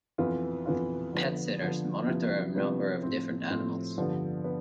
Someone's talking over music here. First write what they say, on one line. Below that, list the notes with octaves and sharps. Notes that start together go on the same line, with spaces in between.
Pet sitters monitor a number of different animals.
F2 E3 B3 F4
F2 E3 B3 F4
D3 F3 B3
D3 F3 B3
C3 F3 B3 E4
C3 F3 B3 E4
A2 F3 C4
A2 F3 C4
G2 D3 F3 B3
B3